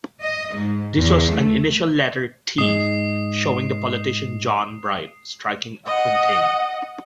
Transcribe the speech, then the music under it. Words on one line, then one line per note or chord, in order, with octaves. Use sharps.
This was an initial letter 'T' showing the politician John Bright striking a quintain.
D#5
G#2
E2
A3
G#2 G#3 D#6 C7
D#5 F#5